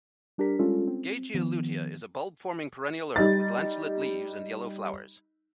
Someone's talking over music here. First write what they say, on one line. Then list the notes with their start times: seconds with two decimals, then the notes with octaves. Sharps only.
"Gagea lutea" is a bulb-forming perennial herb with lanceolate leaves and yellow flowers.
0.38 G3 D4 G4 A#4 B6
0.59 G3 G#3 C#4 F4 A4
0.87 C4
1.34 D#3 F3 B3
3.16 G3 D#4 A6